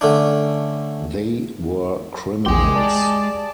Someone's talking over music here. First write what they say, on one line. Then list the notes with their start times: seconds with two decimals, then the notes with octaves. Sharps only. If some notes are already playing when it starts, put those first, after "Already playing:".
They were criminals.
0.01 D3 A3 C#4 D4
2.46 A#1 E2 G#3 G4 G#4 C6
2.75 D5 A5